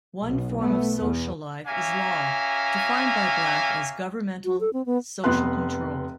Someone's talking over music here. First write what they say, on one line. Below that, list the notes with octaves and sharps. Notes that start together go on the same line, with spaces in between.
One form of social life is law, defined by Black as governmental social control.
B1
A3 B3
E2
C#4 G4 E5 F5 G#5 A#5
F#4
A4
C4
B3
F1 B3 B4 C6 F#6